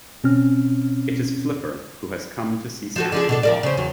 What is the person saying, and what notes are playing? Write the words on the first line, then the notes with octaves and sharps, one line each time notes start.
It is Flipper, who has come to see Sandy off.
B2 C4 C#4 F6
F3 F#4 A4
D3 F3 G#4
B2 D4 A4
F3 A#4 D5
C#3 C4
E2 F#3